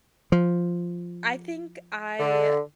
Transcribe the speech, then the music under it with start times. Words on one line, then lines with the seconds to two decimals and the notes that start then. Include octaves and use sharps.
I think I
0.32 F3
2.19 D3